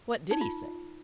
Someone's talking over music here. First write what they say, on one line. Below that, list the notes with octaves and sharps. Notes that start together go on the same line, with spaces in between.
"What DID he say?"
D#4
F4